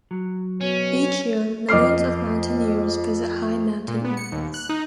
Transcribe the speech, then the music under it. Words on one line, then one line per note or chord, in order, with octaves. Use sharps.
Each year, millions of mountaineers visit high-mountain areas.
F#3
B2 C#4 C#5
F2 D#5 D6 F6 C7
A#2
B3
C#7
D#2
F#6
D#4